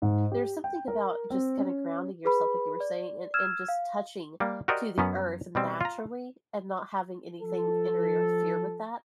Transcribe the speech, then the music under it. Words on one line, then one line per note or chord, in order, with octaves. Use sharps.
There's something about just kinda grounding yourself, like you were saying, and and just touching to the earth naturally and not having anything interfere with that.
G#2
G4
G5
A#4
C4
C#4
G#4 B4 B5
D5
E6 F6 G#6 E7
F5
G3 A#3
F#4 G4 A#4 C5 D5 D#5
F#2 F#3 B3 C#4
B2 G3 C4
F4 A#5
F3 A4